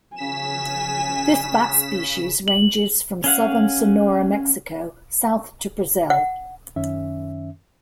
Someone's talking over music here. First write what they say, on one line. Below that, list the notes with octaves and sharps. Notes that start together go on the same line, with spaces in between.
This bat species ranges from southern Sonora, Mexico south to Brazil.
C#3 G#5 B6 E7
F#7
C#4 G#4 F5 F#5
F#5
F#2 D#3 C#4 E5